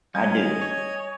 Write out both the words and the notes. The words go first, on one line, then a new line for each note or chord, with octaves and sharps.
I do.
G3 C#4 D#5 G#5
C#5